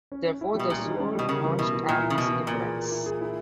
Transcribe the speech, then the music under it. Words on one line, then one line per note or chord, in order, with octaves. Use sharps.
Therefore, the soul must have this difference.
C#4
C#4
E4
B2 G3
A#2 G3
D#3
C#4
B2 G3
C#3 A#4
E3
B2 E4
E4
A#2 E4
E4
C#3
B2 E4
E3
A#2 A#3
G#4
A#3
E4
G#4
E4